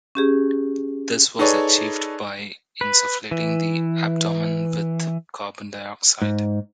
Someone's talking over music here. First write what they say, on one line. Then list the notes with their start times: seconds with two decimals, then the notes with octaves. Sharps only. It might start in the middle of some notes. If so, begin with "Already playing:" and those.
This was achieved by insufflating the abdomen with carbon dioxide.
0.15 C#4 G4 G#4
1.39 D#4 G#4 A4 B4 C#5 D5
2.81 B4
3.31 E3
6.22 G#2